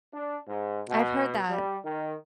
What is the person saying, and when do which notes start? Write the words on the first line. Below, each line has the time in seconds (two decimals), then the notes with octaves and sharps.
I've heard that.
0.14 D4
0.48 G#2
0.89 B2
1.50 G3
1.85 D#3